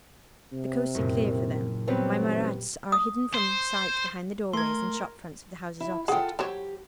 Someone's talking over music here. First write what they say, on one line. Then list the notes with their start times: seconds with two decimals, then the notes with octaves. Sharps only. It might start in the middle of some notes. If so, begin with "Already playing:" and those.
The coast is clear for them--my Marats are hidden from sight behind the doorways and shop-fronts of the houses opposite.
0.52 C3
0.95 F#1 A#2
1.88 F#3 G3 B3 C4 G4 B4
2.21 A1
2.92 D#6
3.34 C5
4.53 A3 A#4 C6 G#6
5.80 E4
6.08 F4 G#4 A4 F#5 G5
6.39 F#3 G4 C5 C#5